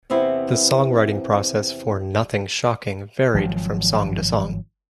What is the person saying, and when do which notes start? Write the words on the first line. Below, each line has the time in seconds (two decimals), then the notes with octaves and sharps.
The songwriting process for "Nothing's Shocking" varied from song to song.
0.10 E2 C3 B3 C4 E4
3.34 G#1 F3 F#3